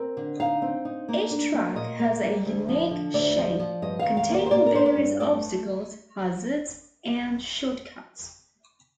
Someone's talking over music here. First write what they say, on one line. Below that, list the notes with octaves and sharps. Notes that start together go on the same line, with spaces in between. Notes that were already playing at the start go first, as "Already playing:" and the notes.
Each track has a unique shape, containing various obstacles, hazards, and short-cuts.
Already playing: C4 A#4
D3
D#4 F5
C4
D#4
A#3
D4
A#3
A#2 D#5
A#3
G3
D2
F3
D3
D2 D5
F3
F3
G2 D#5
F5
D#3
F5
A#3
D5
C5
A#3 D5
A#4
D4 C5
D5
G2
A3 D5